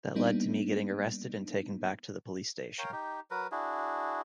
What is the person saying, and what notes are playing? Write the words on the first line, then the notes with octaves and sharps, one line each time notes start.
That led to me getting arrested and taken back to the police station.
G3 A#3 B3 D4 D#4
A#4 C#5 F5 G5
D#4 G4
F#3 A#4 B4
D4 E4 F#4 G#4